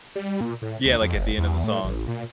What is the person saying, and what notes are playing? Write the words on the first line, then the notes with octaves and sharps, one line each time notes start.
Yeah, like, at the end of the song?
G3
A#2
A2
D2
F2
F#1
E2
A2
A1
A#2